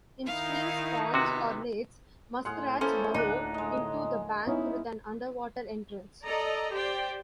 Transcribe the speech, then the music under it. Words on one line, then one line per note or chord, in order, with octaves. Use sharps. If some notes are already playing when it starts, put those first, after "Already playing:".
In streams, ponds, or lakes, muskrats burrow into the bank with an underwater entrance.
D#3 D#4 E4 F5
C3 B3 F#4
A2 G#4 F5 F#5 C6
E3 A#3 C#4 A4 C5
D2 A2 D4 D#4 F#6
G#3 D#5
B3 C#4 D#4 E4
A4 D5 D#5 A#5
G4 C5 D5 G5